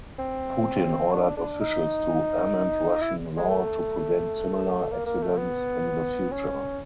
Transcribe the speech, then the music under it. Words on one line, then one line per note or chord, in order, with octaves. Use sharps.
Putin ordered officials to amend Russian law to prevent similar accidents in the future.
C4
D4
D4
D#4
E4
G#3
A3
A#3
A#3
A3
B3
C#4